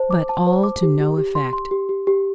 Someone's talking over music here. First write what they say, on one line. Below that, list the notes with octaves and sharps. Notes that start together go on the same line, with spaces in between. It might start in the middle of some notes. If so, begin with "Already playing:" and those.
But all to no effect.
Already playing: C5 A5
D6
A5
C5
D6
G4
G4
G4
C6
C6
G4
G4
G4